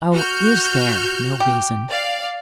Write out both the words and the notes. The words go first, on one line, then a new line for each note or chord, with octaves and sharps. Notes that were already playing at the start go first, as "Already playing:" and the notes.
"Oh, IS there no reason?"
F#4 F6 G6
G4
D5 F5